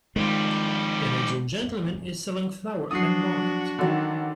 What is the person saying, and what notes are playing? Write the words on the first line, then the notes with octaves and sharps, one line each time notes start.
An Asian gentlemen is selling flowers at market.
F2 D#3 G3 G#3 F4
F3 F#3 D4 F#4 D#6 C7
D3 D#3 F#3